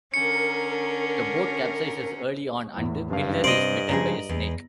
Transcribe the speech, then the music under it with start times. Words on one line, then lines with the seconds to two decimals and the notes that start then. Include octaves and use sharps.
The boat capsizes early on and Pilar is bitten by a snake.
0.14 D3 C#4 A#4 C#7
2.77 E2 A2
3.10 F#1 G2 F5
3.44 C3 C5 D5 D#5 D7
3.89 C#3 F3 G#4 A#5 A#6
4.29 E2